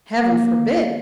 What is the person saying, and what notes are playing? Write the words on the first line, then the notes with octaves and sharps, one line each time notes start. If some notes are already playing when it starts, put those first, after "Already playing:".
Heaven forbid!
A#3